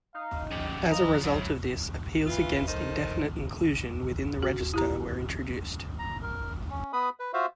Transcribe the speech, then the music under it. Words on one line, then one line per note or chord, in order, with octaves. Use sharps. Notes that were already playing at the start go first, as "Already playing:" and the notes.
As a result of this, appeals against indefinite inclusion within the register were introduced.
D#4 F5
F3 C#4 G4
F3 G#4 D#5 A#5
G#2 F#3 E4
E3 F4
D#3 A4 C5 D#5
F#4
E4 G4 A#5
A#5
A#4
C#4
B3 B4 B5 D#6
B4
F4 F#4 C5 E5 F5